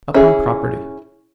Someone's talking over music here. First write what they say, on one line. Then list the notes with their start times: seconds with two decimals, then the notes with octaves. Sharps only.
Upon property.
0.14 C#4 E4 G#4